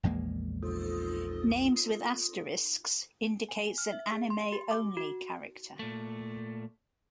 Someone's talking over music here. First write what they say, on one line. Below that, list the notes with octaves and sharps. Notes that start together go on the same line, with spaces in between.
Names with asterisks indicates an anime-only character.
A#1 E2 G#3 A#3
G#5
F6
E5
G#4
C6
G4
D6
F#4
A#2 A3